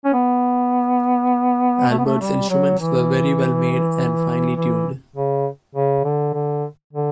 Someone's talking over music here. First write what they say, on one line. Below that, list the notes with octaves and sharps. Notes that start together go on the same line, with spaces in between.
Albert's instruments were very well made, and finely tuned.
C#4
B3
A3
B3
A3
G3
F#3
E3
E3
C#3
C#3
D3
D3
D3